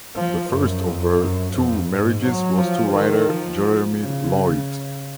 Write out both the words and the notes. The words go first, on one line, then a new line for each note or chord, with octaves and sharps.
The first of her two marriages was to writer Jeremy Lloyd.
F3
F#2
F2
F#2
F2
G#2
F#3
F3
D#3
F3
C#3